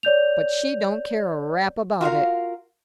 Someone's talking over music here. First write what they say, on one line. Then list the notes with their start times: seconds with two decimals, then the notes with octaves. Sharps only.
But she don't care a rap about it.
0.03 C#5 D5 G6 F7
2.01 F4 F#4 A#4 F5